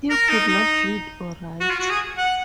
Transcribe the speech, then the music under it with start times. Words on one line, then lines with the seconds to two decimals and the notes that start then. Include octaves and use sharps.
He could not read or write.
0.10 A#4
0.30 D#4
0.48 D#4
1.61 F#4
1.71 F4
1.80 F#4
1.90 G#4
2.18 F#5